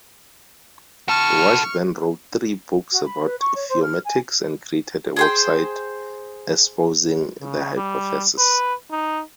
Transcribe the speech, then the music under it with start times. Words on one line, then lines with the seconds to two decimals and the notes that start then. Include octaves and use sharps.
Washburn wrote three books about theomatics and created a website espousing the hypothesis.
1.08 F#4 A4 C#6 F6
2.92 F#4
3.05 B5
3.26 B4
3.40 C#6
3.55 C#5
3.69 C5
3.82 F6
4.05 G#5
5.16 G#4 C5 G5
7.41 C#3
7.77 G3
8.38 B4
8.91 D#4